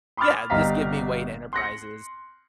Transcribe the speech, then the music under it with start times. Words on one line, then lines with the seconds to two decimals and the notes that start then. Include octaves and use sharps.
Yeah. Just give me Wayne Enterprises,
0.17 B5 C6 D6 D#6 F6 A6
0.50 G1 G3 D#5 F5 A#5 B6
1.53 C6 F#6 A#6 C#7